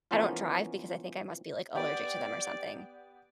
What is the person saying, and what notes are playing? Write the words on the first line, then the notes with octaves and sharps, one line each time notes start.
I don’t drive because I think I must be, like, allergic to them or something.
E3 F3 A#3 B3 C#4 F4
B3 G4 D5